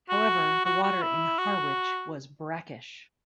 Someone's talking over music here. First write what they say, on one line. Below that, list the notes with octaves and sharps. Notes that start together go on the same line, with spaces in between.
However the water in Harwich was brackish.
F#4
F#4
F#4
E4
F#4